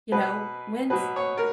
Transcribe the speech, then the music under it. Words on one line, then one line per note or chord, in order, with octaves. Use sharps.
you know, when's
B2 F#3 B4
B2 F#3 B4
C#5
A#4